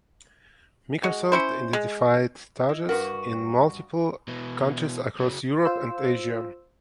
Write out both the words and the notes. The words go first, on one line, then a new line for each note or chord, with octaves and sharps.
Microsoft identified targets in multiple countries across Europe and Asia.
G#3 F#4
C#4 E4 C5
G#3
E4 D#5
G2 F#4 A#4 B4
B2 E3
C#3 F#3
F4 C5 E6